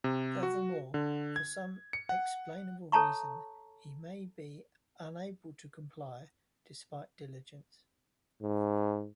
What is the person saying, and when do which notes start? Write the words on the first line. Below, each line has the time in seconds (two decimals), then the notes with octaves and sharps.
Furthermore, for some explainable reason, he may be unable to comply, despite diligence.
0.04 C3
0.43 F#4
0.94 D3
1.36 G#6
1.93 C#7
2.09 F#5
2.92 A4 C#5 A5 A#5 C#6
8.42 G#2